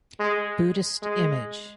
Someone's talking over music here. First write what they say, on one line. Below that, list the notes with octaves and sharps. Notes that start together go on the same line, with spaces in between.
Buddhist image.
G#3
G#3